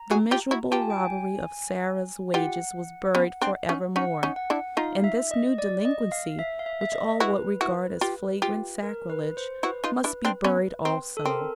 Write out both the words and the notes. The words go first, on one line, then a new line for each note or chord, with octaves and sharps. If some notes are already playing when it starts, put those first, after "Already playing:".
The miserable robbery of Sarah's wages was buried for evermore, and this new delinquency, which all would regard as flagrant sacrilege, must be buried also.
Already playing: A#5
F#4 G#4
F4 G4
E4 F#4
F4 G4 A5
G#5
G5
G#5
F4 G4 F#5
B3 C#4
C4 D4
C#4 D#4
C#4 D#4 F#5
C#4 D#4
F#5
D4 E4
D#4 F4 F5
E5
D#5
D5
D#5
F5
E5
F5
E5
E5
D#5
E4 F#4 B4
E4 F#4
F4 G4
F4 G4
A#4
B4
C5
E4 F#4 B4
D#4 F4
D4 E4
C4 D4
B3 C#4
C4
A4
C4 A#4